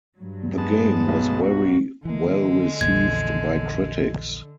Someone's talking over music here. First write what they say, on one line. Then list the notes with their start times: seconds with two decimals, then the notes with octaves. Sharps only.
The game was very well received by critics.
0.17 G2 F#3
0.58 G#3 B3 A5
1.08 B1
1.40 F#4
2.05 D3 E3 G#3 A#3
2.81 A#1 E2 A#2 G#6